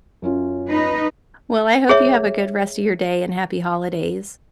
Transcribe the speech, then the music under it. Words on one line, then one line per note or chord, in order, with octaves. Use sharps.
Well, I hope you have a good rest of your day, and happy holidays.
F#2 C#4 F4
D#4 B4 D#5
G#4 C#5 E5